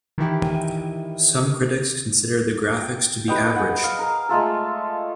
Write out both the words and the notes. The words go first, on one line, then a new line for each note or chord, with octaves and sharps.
Some critics considered the graphics to be average.
D#3 E3 E4 G4
G5
B4 D#5 G5
G#4 F#5
F5
A#4
G#3 A3 F4 A4